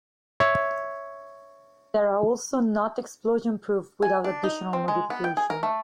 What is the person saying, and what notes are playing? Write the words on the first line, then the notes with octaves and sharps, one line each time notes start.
They are also not explosion proof without additional modifications.
C#5 E5
G#5
D4
D#4
C4
G#3
B3
G5
G#4
A#4
A3